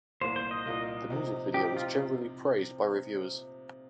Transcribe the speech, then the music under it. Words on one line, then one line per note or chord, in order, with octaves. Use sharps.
The music video was generally praised by reviewers.
C2 A#2 A#3 F4 C5
C5
D#5
C2 A#2 A#3 F4
C3 F3 D#4
C3 F3 D#4 G4
F4